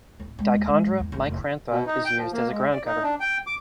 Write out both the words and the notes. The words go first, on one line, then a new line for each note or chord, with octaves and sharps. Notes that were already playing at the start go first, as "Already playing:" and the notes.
"Dichondra micrantha" is used as a groundcover.
D1
G#3
D#2
G#3
G#2
E2
G1
F1
B2
D#4
G5
F3
A#3
G#3
D5
D#4
D4
G5
D6